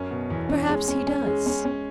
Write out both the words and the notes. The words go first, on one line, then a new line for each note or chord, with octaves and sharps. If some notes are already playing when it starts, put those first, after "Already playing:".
Perhaps he does.
Already playing: F#2 C#4
B2
E2
C#4
G#3
C#4
C#4
G#3
C#4
C#4